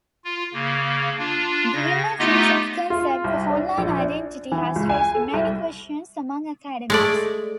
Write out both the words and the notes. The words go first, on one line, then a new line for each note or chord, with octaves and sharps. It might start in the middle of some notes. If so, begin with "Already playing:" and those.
The emergence of the concept of online identity has raised many questions among academics.
F4
C#3 A#3
D4 F4
C#3 A#6
A3 B3 D#4 F4 G4 D#5
F4
C2
D4
A#1
D4
E3
C#2
G#5
A4
C2
G#3 A3 D5